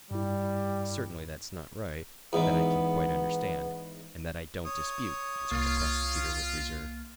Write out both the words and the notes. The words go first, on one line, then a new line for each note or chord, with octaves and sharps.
"Certainly, that's not right, that I can quite understand, and that I don't dispute," answered the prosecutor with reserve.
G2 G3 E4
E2 G#2 E3 B3
C#5 D#6
C2 A#3 F4 F6